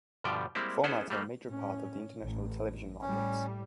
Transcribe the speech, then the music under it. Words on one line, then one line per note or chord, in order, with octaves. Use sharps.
Formats are a major part of the international television market.
G2 B2 D3 F3 G3 G5
G3 G#3 A#3 C4 E4
B3 C#4 E4 G#4 A4 C5
G3 A3 A#3
A2 C#4
A1
A2 G3 C#4